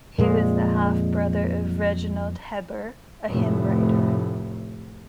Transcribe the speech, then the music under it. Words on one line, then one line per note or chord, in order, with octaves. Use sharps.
He was the half brother of Reginald Heber, a hymn writer.
F2 A#2 G#3
F1 A2